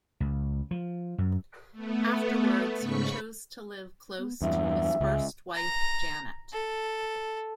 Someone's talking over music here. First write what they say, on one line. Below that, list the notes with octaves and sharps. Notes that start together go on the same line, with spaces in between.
Afterwards he chose to live close to his first wife Janet.
C#2
F3
F#2
A3 B3
G#2 C#3 B5 C#6 B6 C#7
B3
E2 G2 E5
C#2 C#3
A#5
A4